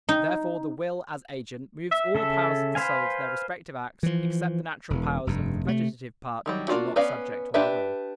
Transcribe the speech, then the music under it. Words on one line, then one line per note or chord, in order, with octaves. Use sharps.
Therefore the will as agent moves all the powers of the soul to their respective acts, except the natural powers of the vegetative part, which are not subject to our will.
D#4
E5
C#3 A4 E5
B4 C5 F5 G#5
E3 F3
E1 E3
F1 G2
C3 A3
D#3 F#3 G3
A#3 D4 F4 F#4
B3 C#4 B4 D5 F5
D4 G4 B4 E5